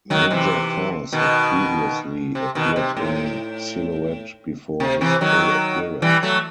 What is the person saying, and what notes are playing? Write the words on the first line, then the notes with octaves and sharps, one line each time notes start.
Major Force had previously appeared in silhouette before his full appearance.
D#3 F#3
C3 E3
B2 D#3
C3
B2 D#3
C3
A2
C3
C3 E3
D#3 F#3
E3 G3
F#3 A3